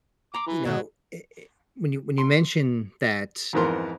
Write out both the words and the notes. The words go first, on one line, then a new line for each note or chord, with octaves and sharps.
you know i i when you when you mention that
A#5 C6 D6
E3
B2 D3 D#3 F#3
C6
F2 G#2 E3 B3 A#4 C6